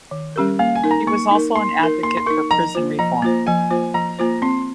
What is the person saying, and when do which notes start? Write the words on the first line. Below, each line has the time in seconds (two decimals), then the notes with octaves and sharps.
He was also an advocate for prison reform.
0.11 D#3
0.36 G3 C#4 G4 A#4
0.59 A#3 F5
0.75 G#5
0.84 D#4 A#4
0.91 A#5
1.07 A#3 C#6
1.31 D#4 A#4
1.55 A#3 C6
1.79 D#4 A#4
2.03 A#3 C6
2.17 C6
2.26 D#4 A#4 C#6
2.51 F3 A#5
2.75 A#3 F4 C5
2.99 F3 A#5
3.22 A#3 F4 C5
3.47 F3 G#5
3.71 A#3 F4 C5
3.94 F3 A#5
4.19 A#3 F4 C5
4.42 C4 C6